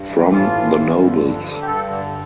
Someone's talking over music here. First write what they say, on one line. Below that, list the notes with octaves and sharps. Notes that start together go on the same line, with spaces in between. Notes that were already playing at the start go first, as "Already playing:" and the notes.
From the nobles.
Already playing: G2
E3
A2 F4
E3
G2
D3
F2
D3
G4
G2 A4
D3